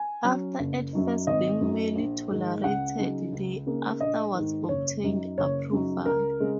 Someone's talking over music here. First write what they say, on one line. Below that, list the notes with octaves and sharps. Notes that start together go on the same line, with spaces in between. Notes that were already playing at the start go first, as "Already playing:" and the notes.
After at first being merely tolerated, they afterwards obtained approval.
Already playing: G#5
F#3 C#4
F#1
F#2 F#3 D#4
G#1 D#5
F#2 F#3 D#4
A#1
G#2 D#3 G#3
C#2 F#5
C#3 F#3 D#4
C#2
C#3 A#3 D#4
A#1 D#5
G#2 D#3
F#1 C#5
F#2 F#3 D#4
F#1 C#5
F#2 C#3 F#3 D#4
C#2 A#4
C#3 G#3